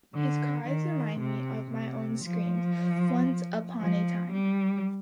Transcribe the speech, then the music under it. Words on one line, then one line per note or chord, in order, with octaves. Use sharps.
His cries remind me of my own screams, once upon a time.
D3
D#3
C3
C3
F3
F3
G3